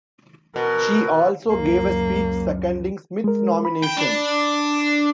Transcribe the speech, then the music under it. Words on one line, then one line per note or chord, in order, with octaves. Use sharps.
She also gave a speech seconding Smith's nomination.
B2 A#4
C#2 F#2 A#3
G#3 A#4
B5
G5
D4